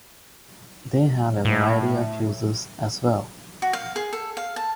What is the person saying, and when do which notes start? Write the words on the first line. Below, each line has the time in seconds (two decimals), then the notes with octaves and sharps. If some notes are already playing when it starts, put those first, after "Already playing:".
They have a variety of uses, as well.
1.45 A2
3.62 F#4
3.73 F5
3.96 G#4
4.13 A4
4.37 F5
4.56 A5